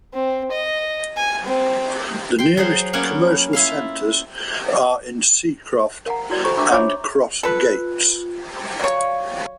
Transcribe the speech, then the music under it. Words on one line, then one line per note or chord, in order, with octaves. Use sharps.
The nearest commercial centres are in Seacroft and Cross Gates.
C4
D#5
G#5
C4
G5 C6
F#3 G#4 C5
A#3 B3 C#4 D5 F#5 G#5
E4 F4 F5
A#4 F5 F#5 A#5
E4 F#4 D5
F4 A4 C5 A#5 B5 C#6
D4 E5 A#5 C#6 D6 E6
C#5 E5 A#5 B5 D6
F4 A4 B4
F#3 C#5 D5 F5